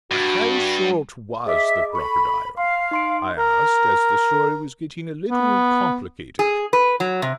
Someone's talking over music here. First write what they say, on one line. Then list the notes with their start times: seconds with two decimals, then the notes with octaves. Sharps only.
"How short was the crocodile?" I asked, as the story was getting a little complicated.
0.12 G2 F#4
1.46 G#4 D#5 E5 D6
1.93 A4 B5 C#6
2.57 F5 C6
2.91 D#4 C6 D7
3.38 A#4
5.29 B3
6.39 G#4
6.73 B4
7.00 F#3
7.22 C3